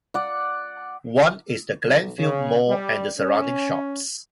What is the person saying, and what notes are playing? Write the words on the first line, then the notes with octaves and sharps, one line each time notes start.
One is the Glenfield Mall and the surrounding shops.
D5 F#5
B1
C#3
G3
C#4